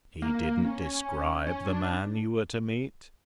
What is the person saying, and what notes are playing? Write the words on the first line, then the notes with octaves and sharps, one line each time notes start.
"He didn't describe the man you were to meet?"
A#3
A#3
C#4
C#4
D4